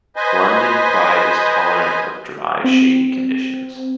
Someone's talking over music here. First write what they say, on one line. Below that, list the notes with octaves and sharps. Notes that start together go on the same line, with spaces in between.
London Pride is tolerant of dry, shady conditions.
B4 C5 D#5 G#5
C4